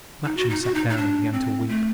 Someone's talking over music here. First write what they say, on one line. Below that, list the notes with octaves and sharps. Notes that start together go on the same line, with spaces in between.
Matcham sat down and began to weep.
D#4
F#4
D#4
F#4
D#4
D#4
D4
C4
A3